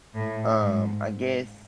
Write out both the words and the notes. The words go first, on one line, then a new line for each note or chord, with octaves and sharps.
um, I guess
A2
G#2